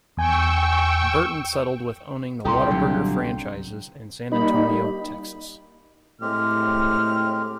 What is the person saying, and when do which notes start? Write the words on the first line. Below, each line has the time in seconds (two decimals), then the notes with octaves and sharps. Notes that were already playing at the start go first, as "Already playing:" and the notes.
Burton settled with owning the Whataburger franchises in San Antonio, Texas.
0.17 E2 G5 G#5 C#6 E6
2.45 C2 A#2 G4 A4 A#5 C6
2.71 F#2 D3
4.32 G3 A#3 D#4 B5
6.21 A2 G#3 C4 G4 F6